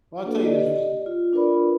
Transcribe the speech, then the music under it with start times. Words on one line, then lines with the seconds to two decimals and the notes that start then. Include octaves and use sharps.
Well, I tell you this was
0.25 A#3 D4 F#4 A4 B4
0.44 G4 D5 D#5
1.06 F4
1.33 D4 F4 A#4 B4 D5 B5